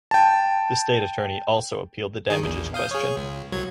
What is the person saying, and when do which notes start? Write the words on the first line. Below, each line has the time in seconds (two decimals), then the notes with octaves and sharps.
The state attorney also appealed the damages question.
0.11 G5 A5
2.30 D#3 G#4
2.43 A#1 E2
2.74 F5 D#6 G6
2.91 G#4 C#5
3.17 C#2
3.52 C2 F#3 G#6